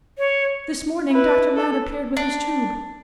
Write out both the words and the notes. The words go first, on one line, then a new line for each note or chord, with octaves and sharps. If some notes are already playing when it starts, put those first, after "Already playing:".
This morning Dr. Ladd appeared with his tube.
C#5
E4 B4
A4
D4